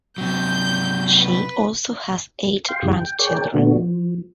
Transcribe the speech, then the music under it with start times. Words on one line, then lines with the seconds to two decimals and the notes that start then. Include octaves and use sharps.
She also has eight grandchildren.
0.18 C3 F#3 G6
1.18 B4
2.69 F5 G5 C6
2.82 F#2 C#3 E3 G3 G#3 G4
2.97 G5
3.19 G#4 A#4 C#5 D5 G5
3.54 A#2 D3 A3 B3 D4 F#4
3.74 F3